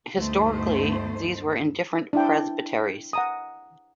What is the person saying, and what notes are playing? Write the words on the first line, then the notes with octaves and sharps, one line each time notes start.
Historically these were in different presbyteries.
D2 G2 A3 B3 D#4 C5
D4 E4 G5
F#5 A#5 D#6